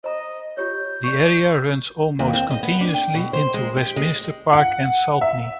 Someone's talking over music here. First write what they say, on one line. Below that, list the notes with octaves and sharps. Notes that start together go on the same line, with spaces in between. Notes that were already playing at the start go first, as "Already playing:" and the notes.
The area runs almost continuously into Westminster Park and Saltney.
C5 D#5 A#5
F4 G4 C#5 G6
D5 C#6
D#2
C4
D#5
B3
D4
G5
B2
C5
G#3
G4
G#3
F#5
E5